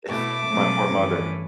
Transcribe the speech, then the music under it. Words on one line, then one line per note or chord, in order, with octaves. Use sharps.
if my poor mother
B2 A3 E4 D6
B2 F#3 A3 C#4
G2 E3 A3 C#4